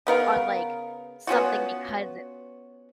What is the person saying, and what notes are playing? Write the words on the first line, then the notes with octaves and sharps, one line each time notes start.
on, like, something because it's
C#3 B3 A#4 F5
B3 C#4 F4 F#4